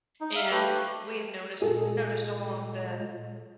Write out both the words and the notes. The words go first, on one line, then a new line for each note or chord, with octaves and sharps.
and we had noticed noticed along the
D#4
E5 F5
A3 G4 B4
A#2 G#3 G#4 A4